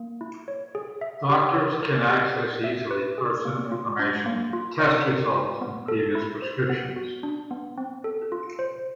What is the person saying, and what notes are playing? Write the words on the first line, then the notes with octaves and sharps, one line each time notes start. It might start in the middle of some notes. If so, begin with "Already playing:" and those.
Doctors can access easily person information, test results, and previous prescriptions.
Already playing: A#3
E4
C#5
G#4
E5
G4
C#5
A#4
G4
G#4
E5
B4
G#4
A#3
F4
D4
A#3
F4
D5
A#4
F4
B3
A4
E4
C5
B3
F#4
D4
B3
C4
A4
F4
C5